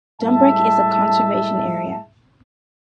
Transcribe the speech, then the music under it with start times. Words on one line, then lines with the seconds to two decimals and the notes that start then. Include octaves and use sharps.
Dumbreck is a conservation area.
0.21 A2 G3 G#3 E5 A5